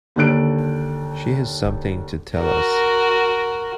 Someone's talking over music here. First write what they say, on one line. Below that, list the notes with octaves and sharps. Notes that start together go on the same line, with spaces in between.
She has something to tell us.
D#2 D3 D4 A4 F#6 D7
F#4 A#4